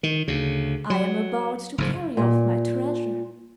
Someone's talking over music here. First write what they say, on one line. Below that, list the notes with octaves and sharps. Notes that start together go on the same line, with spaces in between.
I am about to carry off my treasure.
D#3
D2 C#3
F#3
F#1 G#2 F3
A#2